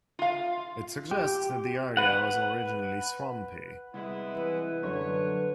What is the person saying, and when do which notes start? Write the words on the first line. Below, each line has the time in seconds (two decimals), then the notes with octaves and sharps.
It suggests that the area was originally swampy.
0.19 F4 F5
1.11 G4
1.97 B4 F#5
3.94 C2 G#3 B3 E4
4.35 E3 B4
4.83 F#2 D3 C#5